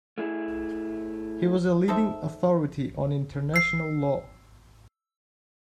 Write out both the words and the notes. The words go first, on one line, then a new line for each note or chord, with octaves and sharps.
He was a leading authority on international law.
A3 E4 G#4
D#4 A4 C5 E5
E6 C7